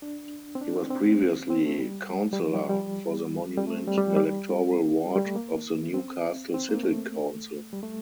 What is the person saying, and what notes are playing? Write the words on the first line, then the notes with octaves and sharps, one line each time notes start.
He was previously Councillor for the Monument electoral ward of the Newcastle City Council.
D4
C4
D4
C4
C4
C4
A3
G3
G3
F3
G3
G3
G3
A3
C4
G3
G3
F3
G3
G3
G3
G3
A3
A#3
C4
C4
A#3
A3
G3
A3